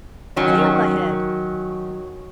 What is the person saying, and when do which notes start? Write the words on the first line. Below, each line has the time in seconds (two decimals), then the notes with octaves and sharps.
"Sail ahead!"
0.36 D#3 F#3 C#4